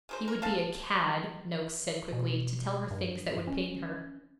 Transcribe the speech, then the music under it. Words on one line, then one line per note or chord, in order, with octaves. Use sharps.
'He would be a cad,' Noakes said quickly, 'to tell her things that would pain her.'
C#3 F#3 C5
A#4
A4 F5 A5
B2
G2
C#4